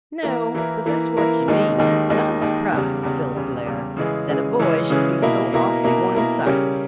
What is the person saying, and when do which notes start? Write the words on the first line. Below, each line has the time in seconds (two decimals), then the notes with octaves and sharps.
"No, but that's what you mean, and I'm surprised, Philip Blair, that a boy should be so awfully one-sided."
0.23 E3 A#3 E4 A#4
0.55 E3 A#3 E4 A#4
0.86 E3 A#3 E4 A#4
1.17 E3 A#3 E4 A#4
1.48 D#2 D#3 G#3 D#4
1.78 D#2 D#3 G#3 D#4
2.10 D#2 D#3 G#3 D#4
2.41 D#2 D#3 G#3 D#4
2.72 E2 C#3 G3
3.03 E2 C#3 G3
3.35 E2 C#3 G3
3.66 E2 C#3 G3
3.97 C#3 E3 G#3 C#4 G#4
4.28 C#3 E3 G#3 C#4 G#4
4.59 C#3 E3 G#3 C#4 G#4
4.90 C#3 E3 G#3 C#4 G#4
5.22 B2 A#3 E4 A#4
5.53 B2 A#3 E4 A#4
5.84 B2 A#3 E4 A#4
6.15 B2 A#3 E4 A#4
6.46 C#3 G3 C#4 G4 A#4